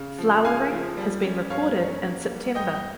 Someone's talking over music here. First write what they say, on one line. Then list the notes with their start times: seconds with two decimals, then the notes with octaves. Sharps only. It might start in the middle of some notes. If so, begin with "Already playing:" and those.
Flowering has been recorded in September.
Already playing: C#3
0.19 F3
0.44 C#3 F5 G#5
0.72 F3
0.97 G3
1.24 C#4
1.50 G2 C#5 F5
1.76 C#4
2.03 A#3
2.29 G3
2.55 G2 D#5 G5